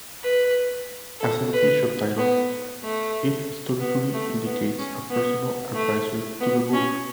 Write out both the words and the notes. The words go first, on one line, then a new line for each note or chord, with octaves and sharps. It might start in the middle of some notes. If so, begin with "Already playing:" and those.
As an official title, it historically indicates a personal advisor to the ruler.
B4
A4
B4
B3
A3
B3
A3
B3
C#4
B3
A3
B3
C#4